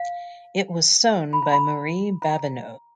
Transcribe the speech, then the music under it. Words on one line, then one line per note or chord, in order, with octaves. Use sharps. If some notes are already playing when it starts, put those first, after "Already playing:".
It was sewn by Marie Babineau.
Already playing: F5
B5
A#5
B5
A#5